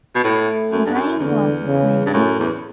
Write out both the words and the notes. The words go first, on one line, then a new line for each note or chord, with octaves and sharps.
His brain was swimming.
B2
A2 A3
F#2
G2
F#2
E2 D3
C#3
G2
F#2 A2
E2